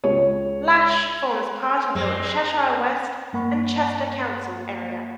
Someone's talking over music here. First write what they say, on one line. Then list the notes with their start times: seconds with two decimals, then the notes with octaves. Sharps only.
Lache forms part of the Cheshire West and Chester council area.
0.04 C#2 C#5
1.95 F#2 G#3 C4
3.33 G2 A#3 F#5 B5 C#6